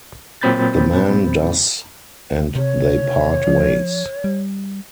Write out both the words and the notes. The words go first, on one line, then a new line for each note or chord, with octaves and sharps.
The man does and they part ways.
A#2 F#3 C4 B5 G6 A6
C3 C#5
F3
G3